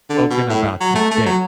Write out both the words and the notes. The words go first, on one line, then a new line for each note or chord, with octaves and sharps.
spoken about today,
D3
B2
A2
F#3
A3
A3
F#3